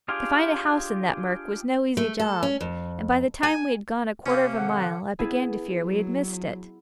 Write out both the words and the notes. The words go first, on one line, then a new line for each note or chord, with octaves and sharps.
To find a house in that murk was no easy job, and by the time we had gone a quarter of a mile I began to fear we had missed it.
D4 F4 G4 G#4
A3
A4
C#4
F2
G#5
C3 A#3 C#4
D#3 A4 F#5
B3 E4 G#4
F#3